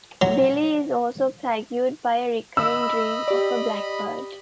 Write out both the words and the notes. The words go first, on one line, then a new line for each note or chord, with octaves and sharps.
Billy is also plagued by a recurring dream of a black bird.
F#3
D#5 B5 E6
G4 D5